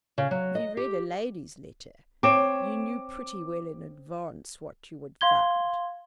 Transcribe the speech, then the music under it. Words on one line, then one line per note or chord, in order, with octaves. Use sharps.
If you read a lady's letter you knew pretty well in advance what you would find.
C#3
F#3
D#5
G4
C4 C#5 D6 D7 E7
F5 C6 G#6 G7